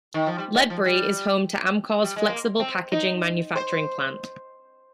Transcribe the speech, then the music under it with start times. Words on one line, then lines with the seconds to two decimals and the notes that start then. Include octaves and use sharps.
Ledbury is home to Amcor's flexible-packaging manufacturing plant.
0.14 D#3
0.27 F3
0.38 G3
0.55 G#3
0.70 F3
0.86 G3
2.04 G3
2.16 G#3
2.28 A#3
2.60 C4
2.92 D#4
3.56 C5